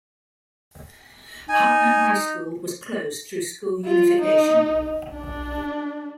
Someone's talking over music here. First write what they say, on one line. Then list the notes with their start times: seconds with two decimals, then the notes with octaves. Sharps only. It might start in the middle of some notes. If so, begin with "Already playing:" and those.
Hardtner High School was closed through school unification.
1.49 D#4 G#5
3.84 F4
4.22 D#4
5.12 D4